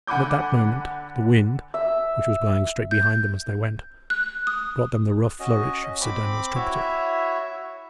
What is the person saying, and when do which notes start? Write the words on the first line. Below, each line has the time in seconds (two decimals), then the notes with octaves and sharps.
And at that moment the wind, which was blowing straight behind them as they went, brought them the rough flourish of Sir Daniel's trumpeter.
0.07 D3 F#5 G#5 B5 D6 G6
1.74 E5
2.91 G6
4.10 F#6
4.47 D#6
5.40 C#4 F#4 D#5
6.01 C4 B5 D6
6.55 E4 F#4 C#5 E5